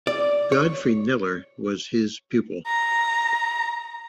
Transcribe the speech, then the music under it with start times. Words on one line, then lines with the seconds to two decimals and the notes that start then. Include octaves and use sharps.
Godfrey Kneller was his pupil.
0.07 D5
0.52 C#5
2.67 A#5